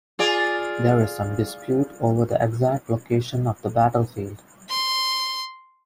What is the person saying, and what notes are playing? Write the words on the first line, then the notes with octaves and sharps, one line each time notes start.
There is some dispute over the exact location of the battlefield.
F4 G#4 D5
C6